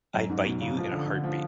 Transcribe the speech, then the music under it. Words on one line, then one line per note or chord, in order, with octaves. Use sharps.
I'd bite you in a heartbeat.
F#2
G#2
B2
C#3
F3
D3
D3
F3